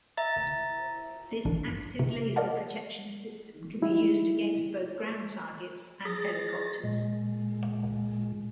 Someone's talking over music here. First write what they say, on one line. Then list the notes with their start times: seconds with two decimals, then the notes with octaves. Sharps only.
This active laser protection system can be used against both ground targets and helicopters.
0.17 E5 A#5 A6
1.45 A1 D4
1.67 G2
1.99 C3
2.36 A#4 D5 D#5 F#5 A5
3.82 G3 D#4 E4 G4
6.05 G#4 A6 A#6
6.84 A#2 G#3